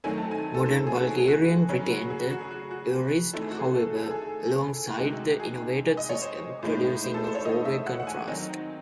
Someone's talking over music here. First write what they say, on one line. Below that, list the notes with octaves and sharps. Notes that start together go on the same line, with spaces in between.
Modern Bulgarian retained the aorist, however, alongside the innovated system, producing a four-way contrast.
D#3 F#3 A3 C4 G#5
A5
G#5
A4
C5
G#4
F#4
G#4
G#4
F#4
C#3 F#3 C#4 G#4
F#4
G#4
F#4
F#4
G#4
F#4
F#4
E3 A3 C4 D#4 A4
G#4
F#4
G#4
A4
G#4
A4
G#4
C3 D#3 G#3 D#4 F#4
G#4
D#5
C#5
C5
A2 G#3 D#4
C5
A4
C5
C#5
D#5
E5
F#5
F#5
G#5
D#3 F#3 C4 D#4